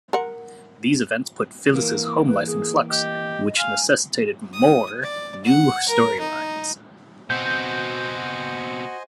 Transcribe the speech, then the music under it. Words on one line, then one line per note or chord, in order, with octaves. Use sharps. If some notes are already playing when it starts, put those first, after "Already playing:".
These events put Phyllis' home life in flux, which necessitated more new story lines.
A#4 F#5
E3 A#3 A#4
B4
G#4
G4 D#5
F5 G#5
D#6
D5
F#5
A#4
D#4
B2 C4 F#4 C5 D#5 G#5 G6